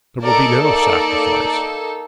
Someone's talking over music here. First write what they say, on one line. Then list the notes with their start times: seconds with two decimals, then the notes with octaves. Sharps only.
There will be no sacrifice.
0.22 A#3 D#4 A4 A#4 D5
0.64 A#4 D5